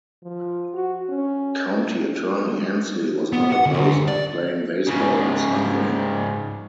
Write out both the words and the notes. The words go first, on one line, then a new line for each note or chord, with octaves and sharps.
County attorney Hensley was not opposed to playing baseball on Sunday.
F3
F#4
C#4
B3
F#5
D2
D5
G#2 C#3